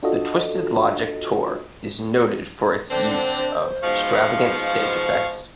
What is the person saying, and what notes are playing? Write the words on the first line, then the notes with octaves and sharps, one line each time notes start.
The Twisted Logic Tour is noted for its use of extravagant stage effects.
D4 F4 F#4 A4 D#5
D3 C4 D4 C5
G#2 B2 F3 F5 C#6